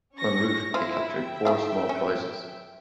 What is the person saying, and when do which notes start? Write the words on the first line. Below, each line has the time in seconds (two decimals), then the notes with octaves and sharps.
En route, they captured four small prizes.
0.15 C#4 C#6 A#6
0.74 E4 F4 C5
1.16 E5 G5
1.45 D#3 E4 F5
1.89 C#4